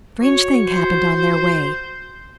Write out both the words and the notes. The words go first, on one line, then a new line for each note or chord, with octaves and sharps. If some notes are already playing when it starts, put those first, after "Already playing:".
A strange thing happened on their way.
F#4 C#5
C5